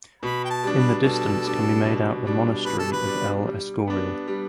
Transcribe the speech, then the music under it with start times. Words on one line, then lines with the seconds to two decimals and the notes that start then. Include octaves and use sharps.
In the distance can be made out the monastery of El Escorial.
0.22 B2 B5
0.45 G5
0.50 A5
0.63 G3 D4
0.77 B4
1.04 B2 A4
1.44 G3 D4
1.85 B2
2.25 G3 D4
2.65 B2 B4
2.79 A4
2.92 B4
3.06 G3 D4
3.47 G3
3.87 B3 D4
4.28 G3